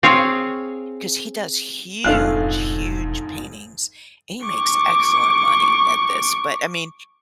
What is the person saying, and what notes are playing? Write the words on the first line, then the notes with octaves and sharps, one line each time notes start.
'cause he does huge, huge paintings, and he makes excellent money at this, but, I mean,
C4 G#4 C#5 F5
E1 F2 G#2 D3 A3 F5 F#6
C#6 D6